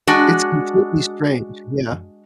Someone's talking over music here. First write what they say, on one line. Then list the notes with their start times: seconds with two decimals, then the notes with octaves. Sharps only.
it's completely strange, yeah.
0.07 G#3 D4 F#4